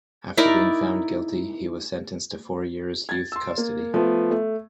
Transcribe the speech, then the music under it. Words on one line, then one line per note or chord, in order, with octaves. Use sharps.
After being found guilty, he was sentenced to four years' youth custody.
D#4 E4 A#4 D5
G#6 A6
C6 E6
A#3
F3 A3 B3
A3